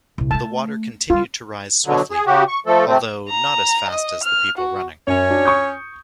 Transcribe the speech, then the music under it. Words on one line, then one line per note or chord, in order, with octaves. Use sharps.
The water continued to rise swiftly, although not as fast as the people running.
C2 A#2
G#3 A3 A5
F#3 G3 F4
B2 D3 F#3
G#4
C#3 F#4 G4
C#6
F3 A3 A4
C3 A3 C4
A#5
D#5
F6
F#4
F#2 C#4 C#5
D4 F#4
C#6 D#6 G6